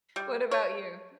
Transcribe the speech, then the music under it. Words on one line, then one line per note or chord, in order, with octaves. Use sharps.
What about you?
G3
C#5